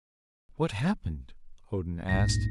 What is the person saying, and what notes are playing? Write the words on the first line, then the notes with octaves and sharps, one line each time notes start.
"What happened?" Odin asked.
D#1 A#1 G#2 A#6